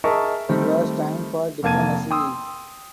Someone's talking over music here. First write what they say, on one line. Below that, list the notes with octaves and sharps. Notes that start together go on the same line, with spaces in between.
It was time for diplomacy.
G#4 A#4 D#5 E5 A5 C#6
D#3 G3 A3 C4
F1 A#3 A5 G#6 D#7
G5 C6 D#6 E6